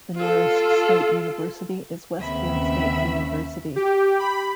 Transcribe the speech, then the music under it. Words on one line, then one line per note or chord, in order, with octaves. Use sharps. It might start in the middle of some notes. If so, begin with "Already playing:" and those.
The nearest state university is Westfield State University.
F4 A4
D#2 C#3 G#3 B3 C4 E5 B5
G4
B5